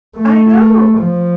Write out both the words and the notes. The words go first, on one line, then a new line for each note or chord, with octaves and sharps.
I know.
A3
F3